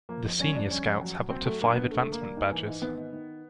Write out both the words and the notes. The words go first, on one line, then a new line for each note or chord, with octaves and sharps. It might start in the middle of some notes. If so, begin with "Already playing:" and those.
The Senior Scout's have up to five advancement badges.
F3 A#3
F2
G3 C#4
F2 D4
G3 C#4
F2
F#3
F#3
F#3 C4
F#3 A3
G2 A#3
G2 B3
G2 A3
A3
D3
A#3
G3
G#2
E3
G#2
D#3 B3
D#3
D#3